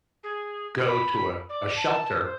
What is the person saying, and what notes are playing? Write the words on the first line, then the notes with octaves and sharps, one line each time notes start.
go to a a shelter.
G#4
B5
D5
A5
C5